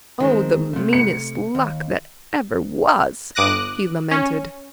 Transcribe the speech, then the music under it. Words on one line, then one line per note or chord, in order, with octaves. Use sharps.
"Oh, the meanest luck that ever was!" he lamented.
D#3 G#3 C4
C3 A3
C#7
D#2
G1 D6 D#6 F#6 A#6
C#4